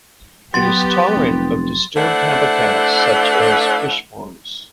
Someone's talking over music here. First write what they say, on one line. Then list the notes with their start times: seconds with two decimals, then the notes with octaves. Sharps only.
It is tolerant of disturbed habitats such as fish ponds.
0.54 F#3 B3 G4 C6 A6
1.16 F1
1.97 A3 D4 E4 C5 F#5